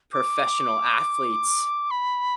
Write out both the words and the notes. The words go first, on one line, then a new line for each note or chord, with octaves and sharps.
professional athletes
D6
B5